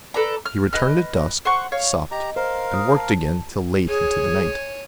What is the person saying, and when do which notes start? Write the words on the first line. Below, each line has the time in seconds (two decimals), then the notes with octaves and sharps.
He returned at dusk, supped, and worked again till late into the night.
0.14 A4 B4 D5 A#5
0.46 F6
0.73 B4 D#5 F6
1.45 C5 F#5 C#6
1.72 C#5 F5
2.11 G4 D#5 A#5
2.36 A#4 C5 F5
2.74 D#6
2.96 A5
3.88 G#4 C#5 G#5